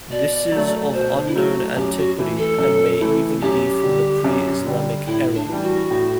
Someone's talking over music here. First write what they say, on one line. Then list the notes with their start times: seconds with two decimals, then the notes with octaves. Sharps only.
This is of unknown antiquity, and may even be from the pre-Islamic era.
0.10 B2 D5
0.52 F#3 A3
0.93 B2 C5
1.17 D4
1.27 E4
1.35 F#3 A3 F#4
1.76 F#2 G4
1.97 F#4
2.18 E3 A3 E4
2.38 A4
2.59 F#2
3.01 E3 A3 E4
3.41 F#2 G4
3.83 D3 G3
4.24 F#2
4.66 D3 G3
5.07 A2 E4
5.35 D4
5.49 E3 G3
5.62 F#4
5.90 A2